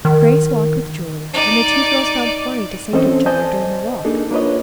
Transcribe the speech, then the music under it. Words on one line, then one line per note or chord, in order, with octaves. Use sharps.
Grace walked with Julia, and the two girls found plenty to say to each other during the walk.
D#3
D#4 D5
E3 C4 C#4 A4 C5 D#5
C5 D5 D#5 G#5 A5 G6
A#3 D4 D#4 G#4 A4
A#3 D4 F4 B4 C#5 D#5